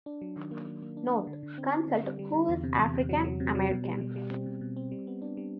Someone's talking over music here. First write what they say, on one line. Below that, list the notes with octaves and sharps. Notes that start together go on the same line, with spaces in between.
Note: Consult Who is African-American?
D4
F#3
D#3
A#3
A#3
A#3
D4
D4
D3
D3
C4
C4
D3
G3
G3
D3
E2
C3
E2
C3
F#3
F#3
C3
F#3
B2
G3
G3
G3
C4
B2
B2
C4
G3
B3
D4
G3